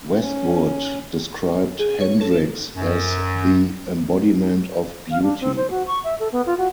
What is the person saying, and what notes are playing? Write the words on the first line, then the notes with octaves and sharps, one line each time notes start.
Westwood described Hendricks as the embodiment of beauty.
C#4
G#4
C#5
A4
F#2
F5
D4
C4
C5
F#4
C#6
E5
A4
B3
F4
F#4